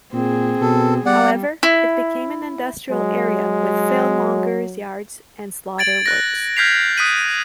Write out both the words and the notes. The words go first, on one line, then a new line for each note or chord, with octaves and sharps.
However, it became an industrial area with fellmongers yards and slaughter works.
A#2 C4 G#4
B2 A4
G3 B3 D5 F#5
E4
F#3 G#3
G#6 A6 D7 F#7
F#6 A#6
F6 G6 G#6 B6 C7 F7
D#6 F#6 B6 D7 D#7 F#7